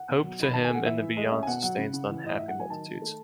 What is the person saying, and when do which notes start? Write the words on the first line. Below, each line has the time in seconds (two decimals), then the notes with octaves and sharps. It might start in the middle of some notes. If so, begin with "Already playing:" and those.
Hope, to him, in the Beyond sustains the unhappy multitudes.
Already playing: F#5
0.09 B2
0.24 F#3
0.39 D#3 B5
0.53 D#3 A5
0.65 G#5
0.70 A3 F#5
0.85 E3 E5
1.01 E3
1.17 G#3
1.32 C#4 E5
1.43 G#5
1.47 B2 F#5
1.63 F#3 F#5
1.78 C#3
1.93 C#3
2.09 E3
2.24 A2 D#5
2.38 A2 E5
2.48 F#5
2.56 F#3 G#5
2.70 D#3 A5
2.87 D#3
3.02 A3